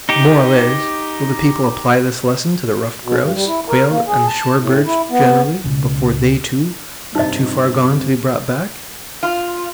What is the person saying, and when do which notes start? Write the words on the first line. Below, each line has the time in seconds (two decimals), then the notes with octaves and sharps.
The moral is: Will the People apply this lesson to the ruffed grouse, quail and the shore birds generally before they, too, are too far gone to be brought back?
0.09 D#4 G4
3.05 B2
3.20 G2
3.34 G3
3.46 E4
3.69 A#4
3.90 A#3
4.07 G#4
4.27 A5
4.57 A2
4.86 E4
5.11 B3
5.64 C#2 B2
7.15 G2 C3 C4 D#4 D#5
9.23 F4